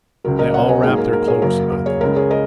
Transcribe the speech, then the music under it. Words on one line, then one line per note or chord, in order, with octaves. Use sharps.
They all wrapped their cloaks about them.
C#2 C#3 F#3 A#4
A#4 D#5
C#5 F#5
D#5 G#5
G#2 F#3 A#3 G#4
A#4
A#4
G#4 C#5
F#2 C#3 F#3 A#3 A#4
A#4
G#4 C#5
C#2 C#3 G#3 A#4
G#4 C#5
A#4 D#5